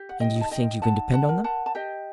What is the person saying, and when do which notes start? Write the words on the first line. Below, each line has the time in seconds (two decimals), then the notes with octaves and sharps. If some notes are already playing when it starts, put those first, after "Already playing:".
"And you think you can depend on them?"
Already playing: G4
0.09 F#5
0.20 D#5 G5
0.36 D#4
0.41 A5
0.51 D#5 G5
0.82 D#4 F#5 A5
1.13 F#5 A5
1.29 A#4
1.44 F#5 A5
1.66 A5
1.75 G4 D#5 G5